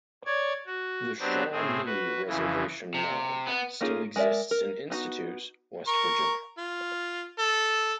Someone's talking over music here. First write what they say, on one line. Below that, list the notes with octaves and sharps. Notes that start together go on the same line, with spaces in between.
The Shawnee Reservation Mound still exists in Institute, West Virginia.
C#5 D5 G#6
F#4
F#3 B3 C4 D4 G4
A2 C4 G#4
F#4 B4
F2 C#3 E3
C3
B3
A#3 C#4 D#4 F4 G#4
G#3 A#4 D5 E5
A#4
B3 D#4 F#4
A#4 C#6
F4
A4